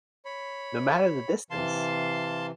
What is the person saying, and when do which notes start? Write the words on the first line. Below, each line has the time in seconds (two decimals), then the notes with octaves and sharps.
no matter the distance,
0.25 C#5 B5
1.51 C3 E3 F5 A5 C6